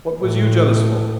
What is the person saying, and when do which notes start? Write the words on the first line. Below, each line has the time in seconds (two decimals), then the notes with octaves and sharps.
What was you jealous for?
0.23 A2